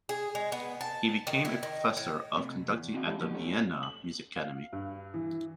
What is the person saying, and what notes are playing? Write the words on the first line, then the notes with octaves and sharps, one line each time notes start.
He became a professor of conducting at the Vienna Music Academy.
G#4
G#3
B3
A5
D#3
E4
D#3
A2
C3 A3
E2
C4 D#4 F#4 D#5 F5
G#3 E4 G4 A4
A#2 F3 B3 D#4
A3 C#4 D#4
F#7
F5
G2
E3